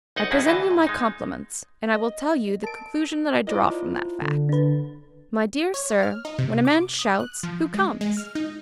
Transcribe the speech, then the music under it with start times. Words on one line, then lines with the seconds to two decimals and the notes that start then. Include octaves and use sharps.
I present you my compliments, and I will tell you the conclusion that I draw from that fact: My dear sir, when a man shouts, who comes?
0.16 C2 D#4 D#5 F#5
0.31 F2 C#4 D#4 E4 F#4 G#4
0.47 D2 E3 D#5 A5
0.71 G#2
0.87 G#3 D#4
1.94 D#5
2.64 A#4 A5 D7
3.47 E4 F4 C5 D5 D#5
4.22 D3
4.49 D4 B4 A6
5.74 C#5
6.03 F6
6.25 D#4
6.38 C3
6.65 D6
6.99 D#6
7.19 F#6
7.43 F3
7.74 G#3
8.01 G#3
8.17 F6
8.35 D#4